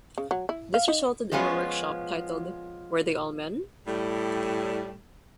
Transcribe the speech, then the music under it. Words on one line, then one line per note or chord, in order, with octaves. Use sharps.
This resulted in a workshop titled Were they all men?
C#3
F#3
E4
F5
D#4
F3 G#3 B3 C#4 F4
A2 G3